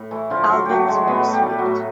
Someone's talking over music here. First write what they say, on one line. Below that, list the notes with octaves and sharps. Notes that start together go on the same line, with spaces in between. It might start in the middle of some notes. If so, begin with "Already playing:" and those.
Alvyn is very sweet.
Already playing: A2
E3 A3 E4
D3 F3 F4
F#3
F#3 A3 F#4 G4
F#3 G#3 G#4
A2 B3 B4
A3
G3 G4
A3
F#3 F#4
A2